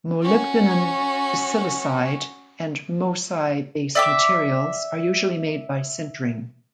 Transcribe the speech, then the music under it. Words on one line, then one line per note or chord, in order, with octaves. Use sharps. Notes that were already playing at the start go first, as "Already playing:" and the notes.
Molybdenum disilicide and MoSi-based materials are usually made by sintering.
C#4 F#4
D5 E5 G5 D6